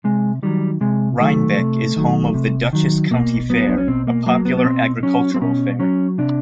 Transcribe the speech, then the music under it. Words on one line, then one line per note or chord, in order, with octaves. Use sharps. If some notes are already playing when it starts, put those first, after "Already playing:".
Rhinebeck is home of the Dutchess County Fair, a popular agricultural fair.
C3 G#3
D#3 F#3 G3
C3 G#3
D#3 F#3 A3
C3
D#3 F#3
C3
D#3 F#3
B2 A#3
F#3 B3
D4
C#4
B2 C4
A#3
F#3 A#3
B3
B3
B2 C4
F#3 C#4
C4
B2 C#4
F#3 C#4
C3 D4